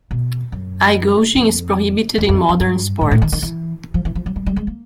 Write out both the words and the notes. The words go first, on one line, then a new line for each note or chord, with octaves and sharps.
Eye-gouging is prohibited in modern sports.
B2
F#2
F2
E2
F2
F2
G2
G#2
A2
D#3
D#3
E3
F3
E3
F3
F#3
G3
G3
G#3
A#3